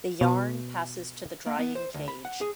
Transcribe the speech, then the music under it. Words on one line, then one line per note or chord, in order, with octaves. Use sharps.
The yarn passes to the drying cage.
B2
A#3
B3
C5
D2
B5
F#5
G#4